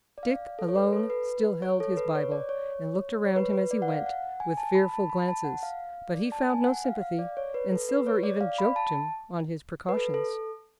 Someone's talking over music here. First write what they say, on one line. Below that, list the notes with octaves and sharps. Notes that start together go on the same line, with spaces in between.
Dick alone still held his Bible, and looked around him as he went, with fearful glances; but he found no sympathy, and Silver even joked him on his precautions.
D5
F5
A4
C#5
B4
A4
B4
C#5
A4
B4
C#5
D5
C#5
C#5
B4
B4
D5
F#5
F5
F#5
G#5
A5
B5
A5
B5
A5
F#5
F5
D5
A5
G#5
F#5
F5
F5
D5
C#5
B4
A4
B4
C#5
D5
D5
F5
B5
A5
B4
A4
A4